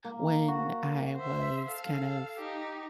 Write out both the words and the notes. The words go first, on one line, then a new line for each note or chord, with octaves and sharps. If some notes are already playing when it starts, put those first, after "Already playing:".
when I was kind of
A#3
F#4
C5 E5
A4 F5
D#4 G4